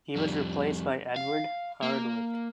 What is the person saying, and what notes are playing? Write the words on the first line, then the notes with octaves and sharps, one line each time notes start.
He was replaced by Edward Hardwicke.
F2 G3
F5
A#3